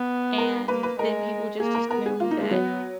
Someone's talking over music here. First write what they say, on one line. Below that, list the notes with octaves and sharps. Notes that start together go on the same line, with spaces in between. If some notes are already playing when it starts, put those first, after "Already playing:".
and then people, just, assume that
Already playing: B3
A#4
A#3 B4
B4
G#3 A#4
A#3 G#4
A#4
B3 A#4
G#4
A#3 F4
D#4
G#3
F#3 B3